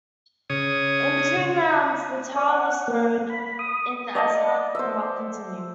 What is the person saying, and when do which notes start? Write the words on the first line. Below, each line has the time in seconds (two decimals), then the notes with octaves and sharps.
In between rounds the towel was thrown in as Hunt could not continue.
0.50 C#3 C#5 D#6
2.36 D5
2.49 F#5
2.88 A#3
3.30 B5
3.59 D#6
4.15 D5 D#5 F#5 A5
4.75 C5 E5